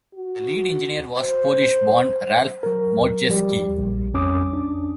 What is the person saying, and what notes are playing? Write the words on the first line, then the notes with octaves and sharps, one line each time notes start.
The lead engineer was Polish-born Ralph Modjeski.
F#4
C5
F#3 A#4
F3 G3 G4 D5
A#1 G3
F2 C#4 D6 D#6
D4